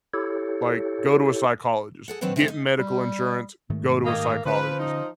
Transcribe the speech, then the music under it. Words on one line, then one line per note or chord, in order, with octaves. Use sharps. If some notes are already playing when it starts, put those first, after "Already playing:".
Like, go to a psychologist, get medical insurance, go to a psychologist.
E4 G4 A4 C#5
G#4 A4 F#5
D#3 F#3 C4 D4 B4 C#5
C3 G3 G#3 C5
D#4
G3
G#2 D#3 A3
A#3 G4 D#5 G#5
D3 F3 C#4 B4
D#4